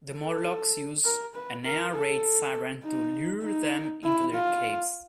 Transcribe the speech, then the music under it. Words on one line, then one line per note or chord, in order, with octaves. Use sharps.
The Morlocks use an air raid siren to lure them into their caves.
A4
A#4
B4
A#4
A4
D#4
D#4
E4
F4